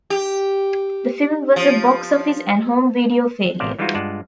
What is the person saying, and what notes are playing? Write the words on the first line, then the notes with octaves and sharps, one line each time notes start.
The film was a box office and home video failure.
G4
F3
A1 C3 C5 D5 F5
E3 G3 G#3 D#4 F4 F#4
G2 G#3 F4 D5 F#5 A5